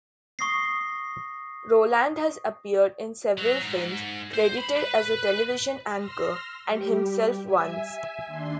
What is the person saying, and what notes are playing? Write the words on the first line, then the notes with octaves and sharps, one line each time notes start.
Roland has appeared in several films, credited as a television anchor and himself once.
C#6 D#6 A#6 C7
F#3
G#2
C5
B5
B4
C6 E6 F6 A#6
G3 G4
E5 G#5
D#2 D4 C6